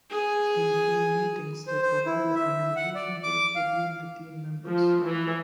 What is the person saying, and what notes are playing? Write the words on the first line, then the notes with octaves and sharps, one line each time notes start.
In team meetings they provide a communication base between the team members.
G#4 G#5
C5
C5
E4
E5
F#5
D5
D6
F5
F3
E3